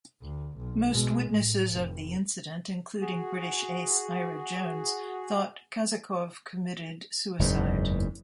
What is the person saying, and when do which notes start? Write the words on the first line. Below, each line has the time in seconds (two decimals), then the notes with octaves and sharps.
Most witnesses of the incident, including British ace Ira Jones, thought Kazakov committed suicide.
0.23 D2
0.58 B1
0.91 B2 G#3
1.28 A2
1.73 F1
3.00 F#4 G#4
7.39 F#1 E2 G#2